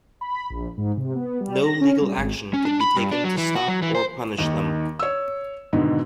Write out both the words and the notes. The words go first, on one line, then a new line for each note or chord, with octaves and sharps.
No legal action could be taken to stop or punish them.
B5
A#1
G#2
C3
B3
G3
A#6
C#4
G3
G#1
C#4
D4
B5
G2
D4
F#3
E3
F#4
F#3
E3
C5
D#2 D#3
C#5 E6
G#2 B2 D3 D#3